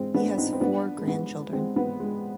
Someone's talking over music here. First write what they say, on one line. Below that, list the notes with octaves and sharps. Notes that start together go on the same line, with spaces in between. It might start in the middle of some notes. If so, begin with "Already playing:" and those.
He has four grandchildren.
Already playing: G#3 C4
B3 D4
C4 D#4
C4
B3 D4
G#3
B3
G#3 C4
B3
G#3